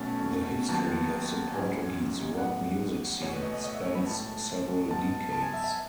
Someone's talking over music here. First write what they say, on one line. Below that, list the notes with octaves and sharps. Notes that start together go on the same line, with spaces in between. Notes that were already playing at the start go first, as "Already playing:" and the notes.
The history of the Portuguese rock music scene spans several decades.
Already playing: B1 B2 A3 C#4 A5
D#2 D#3 F#3 B3 A5
A1 G#2 F#3 C#4 G#5
A1 A2 F#3 B3 F#5
E2 B2 A3 C#5
B4
D#5
D#5
D#5
E5
C#5
B5
B1 A2 G#3 A5
G#2 F#3 B3 A5
A5
G#5
E5
E5